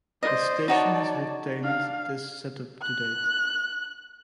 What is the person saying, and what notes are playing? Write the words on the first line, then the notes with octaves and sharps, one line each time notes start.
The station has retained this set-up to date.
C5 D5 D#5
D#4 F#4 C#5 D5 A5
D4 F5
F#6